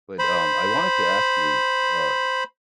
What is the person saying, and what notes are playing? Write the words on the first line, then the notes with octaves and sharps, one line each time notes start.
But, um, I wanted to ask you, s uh,
C5 B5